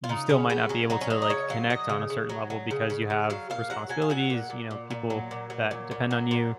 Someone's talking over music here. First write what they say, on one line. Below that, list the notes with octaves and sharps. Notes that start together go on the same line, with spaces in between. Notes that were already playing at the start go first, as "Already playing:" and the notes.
you still might not be able to, like, connect on a certain level because you have responsibilities, you know, people that depend on you,
F4
C#3 D#4
C#3 C#4
C#3 B3
F#3 C#4
F#3 D#4
C#4
F#3 D#4
D#5
C#3 C#5
F#3 F5
F#3 D#5
C#3
C#3
F#3
F#3
C#3
C#3
C#3
F#3 F5
A#2 F5
F#3 F#5
F#3 G#5
F5
F#3 F#5
A#2
A#2
A#2
A#2
F#3
A#2
F#3
A#2
A#2
F#3
A#2